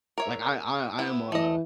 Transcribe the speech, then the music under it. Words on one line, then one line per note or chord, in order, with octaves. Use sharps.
Like, I I I am a
A#4 C#5 E5
B3 E4
E3 A3 D#5